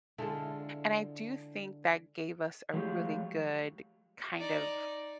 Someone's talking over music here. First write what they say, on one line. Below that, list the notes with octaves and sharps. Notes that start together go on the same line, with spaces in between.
and I do think that gave us a really good kind of
D3 G#3 E4 F4 A4
F3 F#3 G#3 A3 F4 G4
D#4 D5